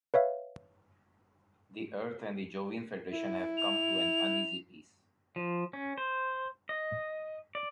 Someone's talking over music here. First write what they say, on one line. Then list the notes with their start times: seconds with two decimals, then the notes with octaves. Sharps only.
The Earth and the Jovian Federation have come to an uneasy peace.
0.14 B4 C#5 E5 F5
3.12 E4
3.57 F7
5.36 F3
5.73 C#4
5.98 C5
6.69 D#5
7.55 D5